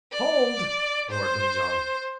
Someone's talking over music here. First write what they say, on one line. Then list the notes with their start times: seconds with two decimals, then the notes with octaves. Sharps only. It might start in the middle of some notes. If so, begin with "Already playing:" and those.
"Hold!" roared Little John.
0.12 D5
1.10 C5